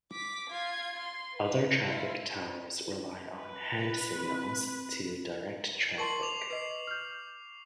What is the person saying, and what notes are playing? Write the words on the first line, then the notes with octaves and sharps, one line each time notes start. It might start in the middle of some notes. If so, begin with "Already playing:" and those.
Other traffic towers rely on handsignals to direct traffic.
D6 B6
F4 G#6
C6
B4
E4 F4
B4
C4
A#4 A5 C6 C#6 C7 F#7
D6 F7
B4 D#5 C7
F6 G6